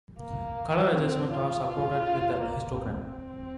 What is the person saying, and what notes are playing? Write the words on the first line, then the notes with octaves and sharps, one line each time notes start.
Color adjustments are supported with a histogram.
A#3
C4
F4
F4
A#3
C4